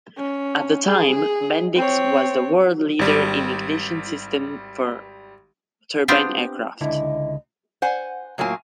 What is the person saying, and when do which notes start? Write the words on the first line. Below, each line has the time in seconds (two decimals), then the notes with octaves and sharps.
At the time, Bendix was the world leader in ignition systems for turbine aircraft.
0.18 C#4
0.86 G#4
1.76 C4 C#5
2.99 G#1 G3
6.08 B3 C4 D4 F4 G4
6.81 C#2 D3 E4 D#5
7.82 C5 F#5 G#5
8.38 A2 F#3 A#3 F4 G#5